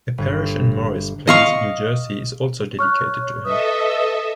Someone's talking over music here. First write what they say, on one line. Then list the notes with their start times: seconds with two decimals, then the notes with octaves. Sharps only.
A parish in Morris Plains, New Jersey, is also dedicated to him.
0.18 G1
1.27 D#5 F5 C#6
2.79 C#5 C#6 F6 F#6
3.45 A4 B4 D#5 E5 D#6